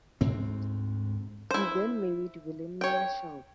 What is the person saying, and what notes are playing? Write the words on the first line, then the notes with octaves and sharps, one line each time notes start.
He then married Wilhelmina Schulze.
D2 G#2 C4
E4 C5
C#5 G5